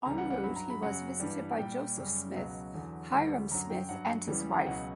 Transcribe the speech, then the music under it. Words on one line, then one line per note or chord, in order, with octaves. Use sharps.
En route he was visited by Joseph Smith, Hyrum Smith, and his wife.
C#2 C#3 E3 G3 A#5
F#5
F#5
G2 F#3 B5
A#5
B5
F#2 C#3 F#3 F#5
G2 E3 G3
A#2 G3 G5
F#2 C#3 G3
C#2 B2 F#3
E2 D3 F#3
D2 D3 G3
F#2 D3 F#3 A#5
G5
G2 F#3 F#5
E2 C#3 E3 G3
A#5
G5
C#2 B2 F#3 F#5